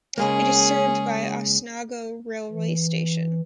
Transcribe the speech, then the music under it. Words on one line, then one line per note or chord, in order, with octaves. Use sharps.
It is served by Osnago railway station.
C#3 G#3 A#3 C#4 G#4
E3